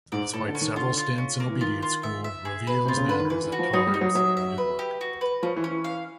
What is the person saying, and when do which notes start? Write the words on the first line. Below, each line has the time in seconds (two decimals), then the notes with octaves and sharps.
Despite several stints in obedience school, Reveille's manners at times needed work.
0.12 G#2 D5
0.33 A2 A4
0.48 D3
0.55 C#4
0.61 D#3
0.76 D3 F4
0.97 F4
1.18 C#4
1.40 A#3
1.50 E3
1.61 D#3 F4
1.82 F4
2.03 E5
2.24 E5
2.45 G#4
2.67 B4
2.86 C3 F4
2.97 C#3
3.08 D3 B4
3.20 D#3
3.30 E3 B4
3.44 E3
3.52 F#4
3.59 F3
3.73 F#3 D#4
3.87 G3
3.94 D#4
4.01 F#3
4.15 F#3 E5
4.37 E5
4.58 B4
4.79 G4
5.01 F#4
5.21 B4
5.43 F3 C#4
5.57 E3
5.64 C#4
5.71 E3
5.84 F5